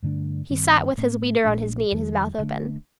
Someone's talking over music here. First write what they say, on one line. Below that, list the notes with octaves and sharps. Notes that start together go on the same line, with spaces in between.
He sat with his weeder on his knee and his mouth open.
G2 D3 A3 D4
G2 D#3 G3 C4
A2 A3 C4
A#1 A#2 A3 D4
F2 D#3 G3
D2 D3 A3 D4